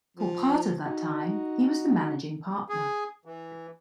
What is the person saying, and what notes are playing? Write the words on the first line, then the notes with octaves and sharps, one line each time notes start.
For part of that time he was the managing partner.
F3
D#4 F#4
G#4
E3